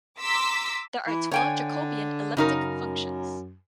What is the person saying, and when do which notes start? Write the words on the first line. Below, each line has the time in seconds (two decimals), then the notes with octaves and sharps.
There are twelve Jacobian elliptic functions.
0.21 A#5 C6 D6 E6 B6
1.07 E3
1.31 D3 C#5 G5 G#5
2.37 F#2 C#3 D#4 A#4